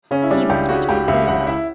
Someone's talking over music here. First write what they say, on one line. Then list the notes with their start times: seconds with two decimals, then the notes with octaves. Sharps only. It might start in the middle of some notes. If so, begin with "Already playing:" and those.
"He wants me to be a sailor."
0.11 C#3 C#4
0.22 E4
0.30 G3 D4
0.49 C#2 G4
0.69 C#3 F#4
0.88 C#2 G4
1.08 C#2 E5
1.27 C#2 F#5
1.47 E4 E5